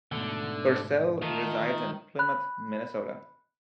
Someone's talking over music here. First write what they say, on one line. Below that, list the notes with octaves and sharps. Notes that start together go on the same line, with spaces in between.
Purcell resides in Plymouth, Minnesota.
G#2 B2 D3 A3
D#3 A3 F4 A4
B5 F#6